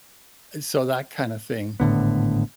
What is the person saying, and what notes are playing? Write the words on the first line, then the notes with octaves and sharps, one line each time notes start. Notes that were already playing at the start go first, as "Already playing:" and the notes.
uh, so, that kind of thing,
G#1 A2 D3 B3